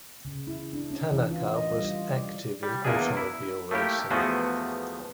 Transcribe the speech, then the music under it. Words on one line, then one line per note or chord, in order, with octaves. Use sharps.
Tanaka was active in automobile racing.
C#3
E4
D4
C#4
E3
F4
D#5
G3
F4
D5
G3
E2 A#3 D4 G#4
E4
A3 A#3 E4 G4
E2 F3 A3 B3 F#4 G#4